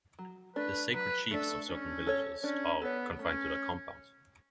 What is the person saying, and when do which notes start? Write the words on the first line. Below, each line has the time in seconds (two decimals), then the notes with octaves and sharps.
The sacred chiefs of certain villages are confined to their compounds.
0.19 F#3
0.56 A3 D4 B4
0.94 F#3 B4
1.31 A3 D4 A4
1.69 C#4 D4
2.07 A4 C#5
2.44 C#4 D4
2.81 B3 A4 C#5
3.19 A3 C#4